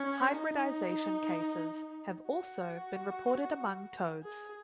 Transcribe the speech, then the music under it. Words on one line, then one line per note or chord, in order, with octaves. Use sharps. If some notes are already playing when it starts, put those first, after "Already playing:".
Hybridization cases have also been reported among toads.
Already playing: C#4
D#4
F#4
G#4